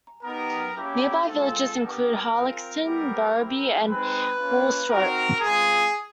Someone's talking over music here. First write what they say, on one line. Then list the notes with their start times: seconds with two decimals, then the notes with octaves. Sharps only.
Nearby villages include Harlaxton, Barrowby and Woolsthorpe.
0.24 B3 D#4 G4 A#4
0.75 A#3 C#4 E4 G4
1.27 G#3 C4 F4 A4
1.79 B3 D4 G4 A#4
2.30 C4 F4
2.82 G3 B3 E4 G4
3.35 C4 E4 G4
3.86 G#3 C4 D#4 B4
4.38 A#3 C#4 F4
4.89 C4 D#4 F#4 A#4
5.41 G#3 C4 F4 G#4